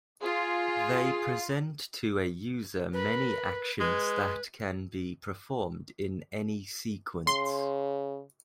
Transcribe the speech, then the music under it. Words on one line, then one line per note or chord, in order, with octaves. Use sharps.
They present to a user many actions that can be performed in any sequence.
F4 G#4
A#4 B4 B5
G#3 B4 G#6
C#3 C6